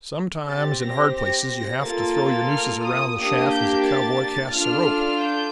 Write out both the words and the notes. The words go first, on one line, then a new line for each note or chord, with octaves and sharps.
Sometimes in hard places you have to throw your nooses around the shaft as a cowboy casts a rope.
C4 G4 A6
A#6
A#6
A#3 F4 A4 A6
F6
D#6
A#3 D4 G4 D#6
G6
A6
D4 F4 A4 F6
G6